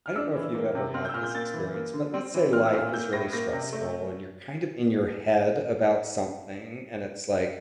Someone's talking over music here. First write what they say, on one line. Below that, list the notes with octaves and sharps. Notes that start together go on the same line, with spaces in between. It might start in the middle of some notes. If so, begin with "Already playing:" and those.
I don't know if you've ever had this experience, but let's say life is really stressful, and you're, kind of, in your head about something, and it's, like,
F6
D4 E6
E3
A#3
C3
C4 F6
G6
E6
A#2 F6
G6
A#3 A6
E3
A#3
D3
C4
E3
C4 F6
E6
A#2 F6
A#3 G6
A2 A#6
A#3 A#6
C3
A3